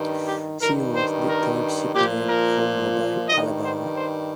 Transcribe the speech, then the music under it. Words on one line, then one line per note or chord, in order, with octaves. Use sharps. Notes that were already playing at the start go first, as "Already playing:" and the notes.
She was the third ship named for Mobile, Alabama.
Already playing: G2 D#3
G4
G2 D#3 A#4
C5
A#4
A#2 F3 G4
A#4
G2 D#3 D#5
C5
C5